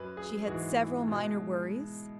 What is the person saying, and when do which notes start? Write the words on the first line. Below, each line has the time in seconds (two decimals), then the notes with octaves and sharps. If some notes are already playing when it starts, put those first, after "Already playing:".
She had several minor worries.
Already playing: F#2 F#3 B4
0.17 G#4
0.47 G#2 E3 G#3 F#4
0.77 E4
1.08 B2 G#3